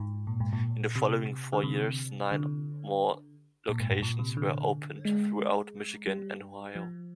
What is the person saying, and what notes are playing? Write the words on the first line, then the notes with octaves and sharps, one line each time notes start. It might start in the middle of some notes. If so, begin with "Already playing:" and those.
In the following four years, nine more locations were opened throughout Michigan and Ohio.
Already playing: G#2
A#2
G#2
A#2
C3
D3
C3
D3
A#2
G#2
G2
A#2
C3
D3
G#3
G3
F3